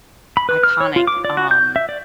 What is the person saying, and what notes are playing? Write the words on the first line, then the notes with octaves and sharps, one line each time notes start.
iconic, um.
B5
B4
F6
C#5
F4
D6
D5
F#4
G6
E5
D5